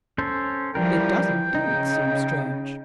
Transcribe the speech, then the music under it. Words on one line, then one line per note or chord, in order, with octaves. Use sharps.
"It does indeed seem strange."
C#4 A4 C5
E3 F3 G3 A#4 G5
C#3 D#4